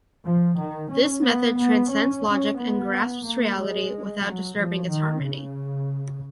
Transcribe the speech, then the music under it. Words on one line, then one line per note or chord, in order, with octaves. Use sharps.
This method transcends logic and grasps reality without disturbing its harmony.
F3
D#3
C#4
B3
B3
C#4
C#4
B3
A#3
G#3
F#3
F3
D#3
C#3